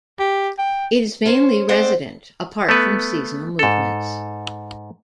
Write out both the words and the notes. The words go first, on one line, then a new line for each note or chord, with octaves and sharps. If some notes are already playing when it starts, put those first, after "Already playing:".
It is mainly resident, apart from seasonal movements.
G4
G5
C#4 C5
G#3 C4 C5 D5 F#5
A3 B3 B4
G#2 A4